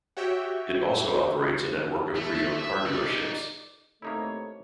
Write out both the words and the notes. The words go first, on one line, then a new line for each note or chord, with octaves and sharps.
It also operates a network of pre-owned car dealerships.
F#4 G4 C#5 E5 G5
A3
E5
D#4 D5
C3 A3 A#3 D#4 E4 C#5